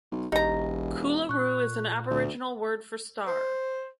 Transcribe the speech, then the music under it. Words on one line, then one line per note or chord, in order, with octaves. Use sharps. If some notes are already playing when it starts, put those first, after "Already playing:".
Coolaroo is an Aboriginal word for 'star'.
B1
E1 A1 D#4 G4 A#5
A#2 C#6 F#6
D2
C5